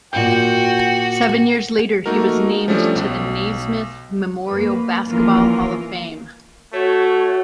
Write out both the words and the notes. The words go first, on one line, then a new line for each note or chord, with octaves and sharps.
Seven years later he was named to the Naismith Memorial Basketball Hall of Fame.
A#2 F#4 G5 G6
A3 A#3 D#4 F#4 A#4
F3 G3 A3 C#4 D4
B1
F#2 A#3 B4
E3 F3 A#3 C#4 F4 A#4
A3 F#4 C#5